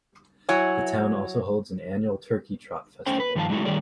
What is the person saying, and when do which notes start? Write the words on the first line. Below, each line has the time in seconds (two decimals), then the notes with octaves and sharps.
The town also holds an annual Turkey Trot Festival.
0.49 F#3 E4 C#5 G#5
3.06 A3 C#4 C5 G5
3.20 B4
3.35 G2 D#3 F3 G#4 F5 A5
3.49 F#3 G#3 A3 D#4 E4 F#4
3.65 D#3 G3 A3 G#4 C#5 D5